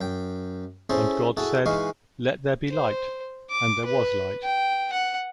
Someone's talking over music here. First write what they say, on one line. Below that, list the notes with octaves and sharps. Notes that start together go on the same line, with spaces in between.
And God said, 'Let there be light,' and there was light.
F#2 G5
C#4 E4 G#4 A4 C5
E4 F#4 G#4 A4
E3 G#3 D#4 F5 C#6 D#6
C5
D6
B4
G5
F#5